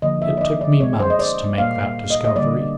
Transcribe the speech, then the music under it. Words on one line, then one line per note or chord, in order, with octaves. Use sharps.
It took me months to make that discovery.
D3 F3 A#3 D#5
E5
D5
D#5
D5
B2 G#3 C#5
C5
D#5
D5
A#2 G3 A#3 F5
D#5
D#5
D3 G3 A#3 D5